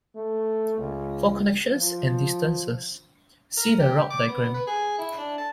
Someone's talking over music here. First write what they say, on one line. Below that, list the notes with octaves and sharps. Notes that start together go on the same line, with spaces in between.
For connections and distances, see the route diagram.
A3
C#2
F3
A#4
G4
D6
B3
B4
G#4
E4
D4
A5